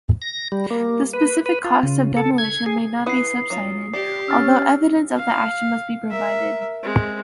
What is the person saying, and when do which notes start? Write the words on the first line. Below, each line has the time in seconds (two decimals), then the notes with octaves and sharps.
The specific costs of demolition may not be subsidized, although evidence of the action must be provided.
0.22 A#6
0.52 G3
0.71 A#3
1.13 B4
1.46 B4
1.64 F4
1.83 C#3
2.17 A4
2.38 G#6
2.66 G#4
3.06 E4 B4 F#5 D#6 C7
3.50 F#3 C#4 F4
3.93 G4 D5 C7
4.28 C#4 E6 F6 A6
5.15 F5
6.10 A#4 E5
6.83 G#3 C4